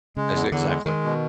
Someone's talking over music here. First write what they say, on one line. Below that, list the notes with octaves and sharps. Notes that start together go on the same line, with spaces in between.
Ex exactly.
C#3 G#3
E2
E2 D3
G#3
D#3 G#3
B2